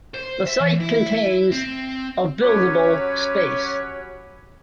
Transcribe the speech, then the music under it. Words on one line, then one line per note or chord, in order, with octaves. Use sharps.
The site contains of buildable space.
C5
E5
E3
E4
C4
F#3 C#4 G4 B4 C#5